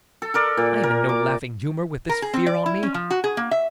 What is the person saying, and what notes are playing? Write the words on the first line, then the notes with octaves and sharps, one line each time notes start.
I am in no laughing humor with this fear on me.
A4
A4 A#4 D5
A#2
A#4
D6
A#4
G#4
C4
D5
E4
C#4
F3
F#4
G#4
A#3
E5